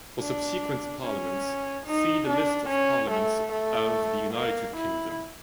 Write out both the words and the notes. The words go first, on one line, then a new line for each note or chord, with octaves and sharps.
For subsequent Parliaments, see the list of Parliaments of the United Kingdom.
D4
C#4
D#4
D4
C#4
A3
A3
A#3
E4